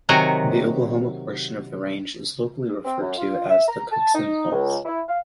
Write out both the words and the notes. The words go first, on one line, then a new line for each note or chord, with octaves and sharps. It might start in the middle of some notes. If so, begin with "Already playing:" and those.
The Oklahoma portion of the range is locally referred to as the Cookson Hills.
C3 D#3 F#3 F#4 G#5 A#5
C4
F#2
F4
E5
A#5
A5
D#4
C#2
E4
F5